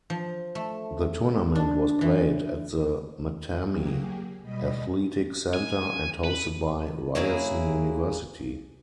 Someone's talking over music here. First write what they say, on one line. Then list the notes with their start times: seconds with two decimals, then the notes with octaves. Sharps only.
The tournament was played at the Mattamy Athletic Centre and hosted by Ryerson University.
0.10 F3
0.55 A3
1.55 D4
2.01 E3
3.68 F#3 A#3 G4 G#4
4.42 B2 G3 D#5 B5
5.54 G#5
6.24 B4
7.15 F#3 A#3 E4 G#4